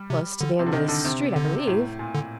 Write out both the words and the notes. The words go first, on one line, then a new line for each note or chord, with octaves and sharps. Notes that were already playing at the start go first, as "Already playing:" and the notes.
'Close to the end of this street, I believe.
Already playing: G3
C3
D3
C3
D3
C3 D#3
D3
C3
D3
A2
A#2
D3